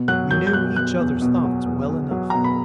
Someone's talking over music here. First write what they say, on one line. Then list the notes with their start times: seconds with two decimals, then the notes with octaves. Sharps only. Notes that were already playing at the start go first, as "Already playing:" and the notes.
We knew each others thoughts well enough.
Already playing: B2
0.08 F#3 F#6
0.31 F#3 G6
0.47 G6
0.53 B2 F#6
0.76 B2 F#6
0.99 E2
1.22 B2
1.44 F#3
1.66 E2
1.89 E2
2.11 F#3
2.30 B2 A#5
2.44 B5